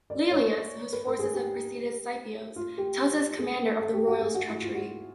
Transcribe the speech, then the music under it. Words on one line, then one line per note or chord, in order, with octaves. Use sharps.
Lelius, whose forces have preceded Scipio's, tells his commander of the royals' treachery.
D5
C#5
B4
A#4
G#4
G4
F4
G4
G#4
A4
G4
F#4
G#4
F#4
E4
F4
F#4